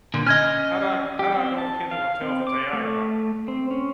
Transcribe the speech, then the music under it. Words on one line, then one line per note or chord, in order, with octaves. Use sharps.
how do I how do I go on Kindle and tell if it's AI or not?
A#2 D3
C#4 D#5 F6 G#6
G4
C4
A5
F5
C4
D6
A3
C4
C#4